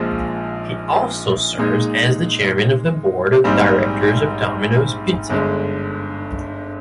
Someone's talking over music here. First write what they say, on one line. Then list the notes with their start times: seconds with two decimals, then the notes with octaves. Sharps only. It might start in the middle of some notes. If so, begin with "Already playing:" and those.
He also serves as the chairman of the board of directors of Domino's Pizza.
Already playing: A#1 A#2 F3 G#3
1.58 A#2 G#3 D#4
3.44 A#1 G#2 G3 C4
5.30 G1 G2 D3 G#3